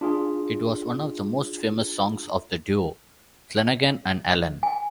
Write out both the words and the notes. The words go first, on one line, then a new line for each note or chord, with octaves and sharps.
It was one of the most famous songs of the duo Flanagan and Allen.
D4 F4 G#4
G#5